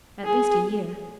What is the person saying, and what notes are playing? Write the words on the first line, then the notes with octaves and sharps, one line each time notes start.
"At least a year."
G#4